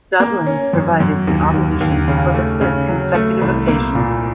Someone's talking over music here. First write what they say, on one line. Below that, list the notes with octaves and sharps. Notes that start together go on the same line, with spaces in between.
Dublin provided the opposition for the fifth consecutive occasion.
A#3
C#4
F#2
F#2
D#2
D#2
D#2
C#3
A3
C#3
F#3
A3
C2
A#3
A#2